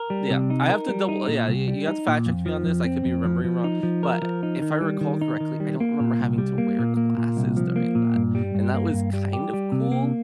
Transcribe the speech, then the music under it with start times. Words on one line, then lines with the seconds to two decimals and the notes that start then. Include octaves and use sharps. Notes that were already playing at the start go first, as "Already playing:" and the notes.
Yeah. I have to double yeah. You you have to fact check me on this. I could be remembering wrong. But if I recall correctly, I don't remember having to wear glasses during that. And that was kind of cool.
Already playing: A#4
0.10 G3
0.30 C3
0.50 D#4
0.69 A#4
0.88 G3
1.09 D#4
1.28 A#2
1.48 C2
1.68 G3
1.88 D#4
2.07 A#2
2.26 F2
2.46 F3
2.66 F2
2.85 C4
3.05 F2
3.25 F3
3.44 F3
3.64 D#4
3.83 F3
4.03 A#4
4.22 F3
4.43 D#4
4.62 D#3
4.81 G3
5.01 D#3
5.21 D#4
5.40 D#3
5.60 G3
5.80 A#3
6.00 A#2
6.20 C2
6.38 G3
6.58 A#3
6.79 A#2
6.97 A#3
7.18 A#2
7.37 C2
7.57 F3
7.76 A#3
7.95 A#2
8.15 G2
8.35 G3
8.55 G2
8.74 A#3
8.93 G2
9.13 G3
9.33 G4
9.53 G3
9.72 C3
9.91 A#3